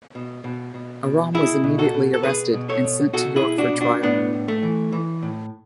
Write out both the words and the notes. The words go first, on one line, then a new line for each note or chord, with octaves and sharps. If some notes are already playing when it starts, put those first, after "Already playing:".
Aram was immediately arrested, and sent to York for trial.
B2
B2
B2
B2
B2 E4 G#4
B2
F#4 A4
B2
A4
B2 G#4 B4
B2
A4 C#5
B2
B2 F#4 A4
E4 G#4
B2
D4 F#4
B2
D4 F#4
A2 B3 D4
A2
A3
E3
E3
A2